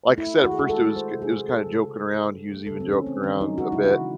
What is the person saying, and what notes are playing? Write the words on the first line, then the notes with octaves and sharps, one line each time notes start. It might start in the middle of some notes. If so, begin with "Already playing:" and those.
like said, at first it was k it was kinda joking around. He was even joking around a bit,
A3
E4
A3
D#3 F#4
G#4
F#4
G#3
A4
G#3
A3 C5
C3
G#4
F#3
A3 A4
C#3
E3
A3
C3
F#3
A3
A4
C#3
C4
E3
C#4
A3 C4
D#3 C#4
F#3 D#4
G#3 F#4
C#3 E4
F#4
E3